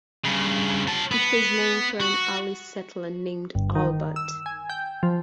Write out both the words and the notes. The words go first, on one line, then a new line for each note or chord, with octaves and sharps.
It was named for an early settler named Albert.
G2 C#3
F#3 A5
B3
F#4
G1
D#3
E6
G#5
G5
F3